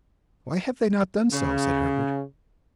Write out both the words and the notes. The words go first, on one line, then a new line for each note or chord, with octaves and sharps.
"Why have they not done so?" said Herbert.
C#3